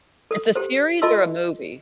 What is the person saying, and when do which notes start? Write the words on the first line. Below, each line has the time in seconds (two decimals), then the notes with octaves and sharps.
It's a series or a movie?
0.31 A4 D#6
0.55 G4 A4 C5
1.02 F4 A4 D#5 A5 C6 E6